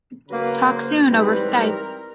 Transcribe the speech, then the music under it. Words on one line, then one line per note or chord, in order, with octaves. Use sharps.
Talk soon over Skype.
C#3 F#3 A#3 B4
C5
G#2 E3 G3 C4 B4
A#4